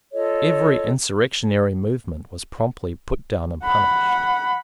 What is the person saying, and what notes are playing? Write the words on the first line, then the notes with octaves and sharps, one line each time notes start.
Every insurrectionary movement was promptly put down and punished.
F4 A4 C#5 D#5
F#5 B5